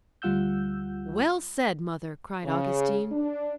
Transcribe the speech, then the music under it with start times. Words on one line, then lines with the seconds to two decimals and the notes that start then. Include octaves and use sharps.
"Well said, mother!" cried Augustine.
0.22 D2 G3 F4 F#5 E6 G6
2.45 C#3
3.12 D4